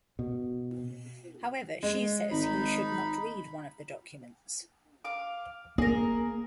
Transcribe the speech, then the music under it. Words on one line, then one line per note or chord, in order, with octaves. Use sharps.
However she says he should not read one of the documents.
B2
G#3
G#1 D#4 B5
F5 D6
A#3 G#4 A#4